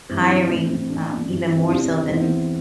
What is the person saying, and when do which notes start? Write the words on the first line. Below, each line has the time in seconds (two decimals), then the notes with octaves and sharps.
hiring, um, even more so than
0.09 G2 E3 C4 E4
0.30 D4
0.50 A2 E3 C4
0.70 C4
0.89 A2 E3 D4
1.29 G2 E3 C4 E4
1.42 C4 E4
1.56 C4 E4
1.69 E2 C3 E3 D4 G4
2.08 E2 E3 C4 E4